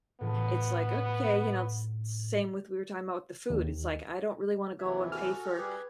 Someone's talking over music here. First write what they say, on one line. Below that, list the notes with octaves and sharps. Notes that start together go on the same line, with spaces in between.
it's like, "Okay," you know, s same with we were talking about with the food, it's like, I don't really wanna go and pay for,
A2 F3 B3
D#2
D#2 C3 E3 E5 G#6
F#4 A4 G#5 F6
G3 G4 G#4 B4 F#6 G#6